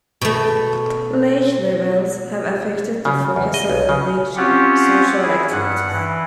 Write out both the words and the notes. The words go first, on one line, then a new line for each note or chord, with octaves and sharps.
Lake levels have affected the focus of village social activities.
B2 A3
C#3
E2
D#5
B1
C#3
C4 C#4 F4 G4 F#5
E4 G#4
G2 F#5
E3